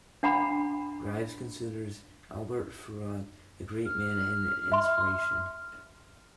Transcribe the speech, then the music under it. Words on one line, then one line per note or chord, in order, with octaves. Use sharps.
Rives considers Albert Feraud a great man and an inspiration.
D4 F#5 A#5 B5
F6
E5 C6